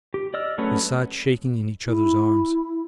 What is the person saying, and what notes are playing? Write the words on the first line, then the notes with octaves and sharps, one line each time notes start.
We sat shaking in each other's arms.
G4
D5 D#5 E6 F6
F#3 A3 C#4 G#4 B4
E4